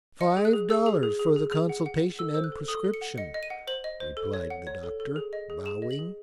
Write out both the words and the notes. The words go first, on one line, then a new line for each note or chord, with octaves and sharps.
"Five dollars for the consultation and prescription," replied the doctor, bowing.
D#5 C#7
G#4
F#6
G#4
G#4 E6
G#4
G#4
G#4
G#4
G#4
F#5
F#5
F#5
A4 E6
C5 E6
F#6
A4
A4 D#6
A4
C#7
F#5
D#5 C#7
D#5
D#7
F#5
C5 F#7
D#5
C5
A4
C#5
F#5
C#5
A4
A4
G#4
D#5
G#4
G#4 E7
D#5
F#7
G#4